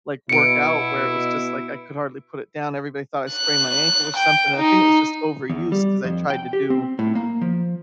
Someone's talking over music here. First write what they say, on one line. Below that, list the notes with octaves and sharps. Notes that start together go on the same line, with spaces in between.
like, work out, where it was just like I could hardly put it down, everybody thought I sprained my ankle or something, and I think it was just overuse 'cause I tried to do,
B2 E4 C#7 D7
F#6
G5
D#4
E2
G3
F2
G5
G4
C4
A2
A#3
F3